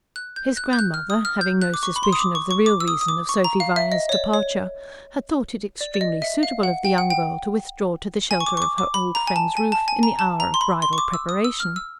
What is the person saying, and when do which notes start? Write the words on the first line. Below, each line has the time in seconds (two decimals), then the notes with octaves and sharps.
His grandmother, having no suspicion of the real reason of Sophy Viner's departure, had thought it "extremely suitable" of the young girl to withdraw to the shelter of her old friends' roof in the hour of bridal preparation.
0.16 F#6
0.36 G6
0.57 F#6
0.73 G6
0.79 F#6
0.94 F6
1.10 D#6
1.25 F6
1.41 G6
1.62 F#6
1.74 D6
1.83 C#6
1.96 B5
2.03 C6
2.13 D#6
2.19 D6
2.35 C#6
2.51 C#6
2.66 D6
2.80 E6
2.88 D#6
3.01 D#6
3.08 D6
3.29 C#6
3.44 A#5
3.60 F5
3.76 E5
3.92 D#5
4.09 C#5
4.13 D5
4.33 C#5
5.81 D5
5.94 D5
6.01 D#5
6.22 E5
6.43 F5
6.63 F#5
6.85 G5
6.98 F#5
7.10 G5
8.31 G#5
8.40 C#6
8.46 D6
8.57 C#6
8.62 D6
8.78 D6
8.94 B5
9.15 A#5
9.27 G#5
9.36 A5
9.57 G#5
9.72 A5
9.88 G#5
10.03 A#5
10.19 A5
10.40 A#5
10.54 C6
10.61 B5
10.82 C6
10.93 C#6
10.98 D6
11.14 E6
11.29 D#6
11.44 E6
11.60 F6
11.76 E6